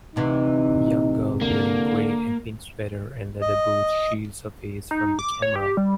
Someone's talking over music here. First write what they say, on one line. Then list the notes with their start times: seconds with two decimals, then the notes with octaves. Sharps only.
Young girl wearing gray and pink sweater and leather boots shields her face from the camera.
0.16 D2 C3 E3 D#4
1.41 D3 A#3
3.41 D#5
4.91 D#4
5.19 D6
5.42 C#5
5.56 G4
5.77 G3